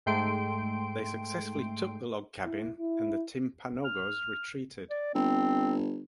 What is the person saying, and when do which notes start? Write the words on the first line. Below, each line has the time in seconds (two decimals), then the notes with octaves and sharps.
They successfully took the log cabin, and the Timpanogos retreated.
0.06 G#2 A3 G5 C6 D7
2.45 E4
2.77 E4
3.85 F6
4.90 D5
5.15 G1 C4